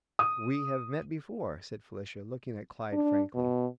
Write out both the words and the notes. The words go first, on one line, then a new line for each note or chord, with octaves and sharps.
"We have met before," said Felicia looking at Clyde frankly.
D#6
D4
B2